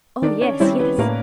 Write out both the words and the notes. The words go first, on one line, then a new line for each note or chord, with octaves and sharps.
"Oh, yes, yes!"
D#3 D4 D5
C#4 C#5
G3 C4 C#4 E4 C#5
B3 B4
A2 A#3 A#4